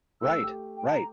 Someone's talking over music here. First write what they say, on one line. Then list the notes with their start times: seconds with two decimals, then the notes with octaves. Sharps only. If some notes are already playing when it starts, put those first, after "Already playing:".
Right, right.
0.22 A3 E6
0.43 G4
0.77 G5
0.87 A5
0.96 A#5